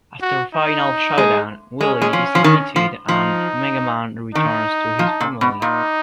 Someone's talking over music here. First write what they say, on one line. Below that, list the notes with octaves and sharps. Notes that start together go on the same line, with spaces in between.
After a final showdown, Wily is defeated and Mega Man returns to his family.
F#4
D#4
G#3
G#3 C#4
G#3
F3
F3
D#3
F3
F3 D#4
D#3 D#4
F3
A#2
B2
A#2 D#4